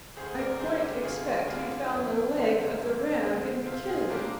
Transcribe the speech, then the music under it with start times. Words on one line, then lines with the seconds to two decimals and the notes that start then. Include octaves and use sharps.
I quite expect he found a leg of the ram in the kiln.
0.16 D2 G#4 C5
0.38 A#4 D5
0.60 D3 G3 D4 G#4 C5
0.82 G4
1.04 D2 F4 G#4
1.48 D3 G3 D4 F4 G#4
1.91 F2
2.35 D3 G#3 C4
2.79 F2
3.22 D3 G#3 C4
3.66 C3 F4
3.89 F4 G#4
4.10 G3 A#3 D4 G4 A#4